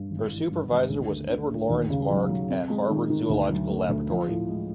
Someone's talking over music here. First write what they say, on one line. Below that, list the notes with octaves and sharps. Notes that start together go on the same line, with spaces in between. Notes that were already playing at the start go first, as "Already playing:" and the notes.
Her supervisor was Edward Laurens Mark at Harvard Zoological Laboratory.
Already playing: G2
G#1
E3
G2
G#1
D2
A3
D3
A3
D#2
C#3
F#3
F#3
C4
G#3
D#3
D#3
D2
F#3
A3
D2
F3
A2
G#3